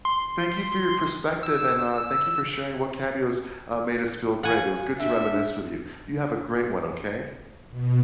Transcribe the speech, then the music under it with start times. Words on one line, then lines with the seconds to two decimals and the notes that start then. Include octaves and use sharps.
thank you for your perspective, and, uh, thank you for sharing what cameos, uh, made us feel great. It was good to reminisce with you. You have a great one, okay?
0.05 C6
1.43 E6
4.43 F5 F#5 G#5
5.00 D4 E5
7.71 B2